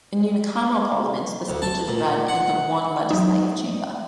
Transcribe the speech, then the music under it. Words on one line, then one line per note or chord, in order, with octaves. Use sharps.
In unicameral parliaments, the speech is read in the one legislative chamber.
D2
A5
A#2
F#5
F#3 D#4